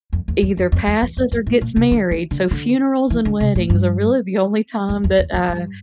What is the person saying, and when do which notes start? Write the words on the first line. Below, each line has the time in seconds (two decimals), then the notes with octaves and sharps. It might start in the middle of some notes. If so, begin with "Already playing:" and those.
either passes or gets married, so funerals and weddings are really the only time that, uh,
0.13 F2
0.28 E2
0.42 E2
0.57 F2
0.72 F2
0.87 E2
1.02 E2
1.17 F2
1.32 F2
1.47 A2
1.61 A#2
1.76 C3
1.91 D3
2.11 E3
2.31 D3
2.51 D3
3.10 E3
3.25 D3
3.40 C3
3.55 A2
3.70 G2
4.89 F2
5.04 E2
5.19 E2
5.34 E2
5.49 G2